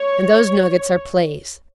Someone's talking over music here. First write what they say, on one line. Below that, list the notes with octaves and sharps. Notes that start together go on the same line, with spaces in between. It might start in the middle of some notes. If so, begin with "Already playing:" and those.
And those nuggets are plays.
Already playing: C#5